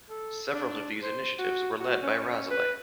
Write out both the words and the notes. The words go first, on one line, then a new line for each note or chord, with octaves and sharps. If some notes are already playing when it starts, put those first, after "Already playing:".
Several of these initiatives were led by Razaleigh.
A4
D4
C5
F#4
F#4
C#4
B4